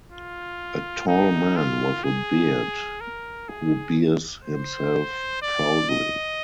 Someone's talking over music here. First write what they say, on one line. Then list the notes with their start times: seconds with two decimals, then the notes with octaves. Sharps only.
A tall man with a beard, who bears himself proudly.
0.11 F4
1.08 D#4
1.56 F4
2.04 G#4
3.00 A#4
3.48 G#4
4.44 C5
5.42 D5
5.89 D#5